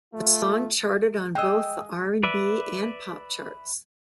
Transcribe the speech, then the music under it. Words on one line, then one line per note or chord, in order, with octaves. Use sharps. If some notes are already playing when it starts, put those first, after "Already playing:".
The song charted on both the R and B and pop charts.
A3 F4
G#3 D#5 G5 E6
B4 D5 E5